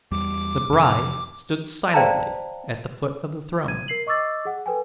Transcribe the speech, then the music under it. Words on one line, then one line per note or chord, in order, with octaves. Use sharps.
The bride stood silently at the foot of the throne.
E2 G3 D6
F2 C3
C5 D5 F5 G5 A5 A#5
G#6 D#7
A#4 C7 F#7
D#5 C#6 D6 E6 A6
G#4 F#5
A4 B4 G5 G#5